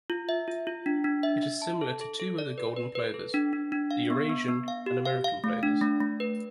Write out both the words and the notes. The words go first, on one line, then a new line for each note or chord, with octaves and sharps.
It is similar to two other golden plovers: the Eurasian and American plovers.
F4
E5
F4
F4
D4
D4
E5
E5
A5
A4
A4
A4
D5
B4
B4
B4
A4
D4
D4
D4
F5
B3
B3
B3
F5
G4
F5
F5
A3
D4
A3
A3
B4